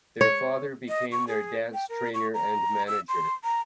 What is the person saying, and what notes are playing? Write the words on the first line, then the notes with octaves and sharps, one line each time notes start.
Their father became their dance trainer and manager.
C#5
D#5
C#6
G#4
G5
A#4
C#6
A#5
E6
C6
A#5